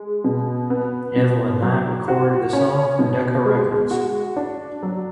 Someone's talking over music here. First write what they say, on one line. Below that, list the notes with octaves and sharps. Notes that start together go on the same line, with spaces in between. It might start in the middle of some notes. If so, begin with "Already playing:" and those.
Evelyn Knight recorded the song for Decca Records.
Already playing: G#3
B2
B3
B2
F#3
F#4
C#4
B2
G#3
F#4
D4
F#3